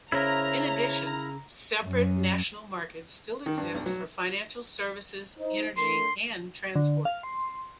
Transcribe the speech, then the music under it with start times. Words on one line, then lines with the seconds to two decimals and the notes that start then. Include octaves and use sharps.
In addition separate national markets still exist for financial services, energy and transport.
0.12 C#3 E4 A#4 C5 C#5 E5 A#5
1.84 F#2
3.46 D#3
3.57 G2
3.74 B1
3.86 F#3
5.38 D#4 C5
5.77 A3 D4 A#4 C6
6.75 D3
7.05 F5
7.23 C6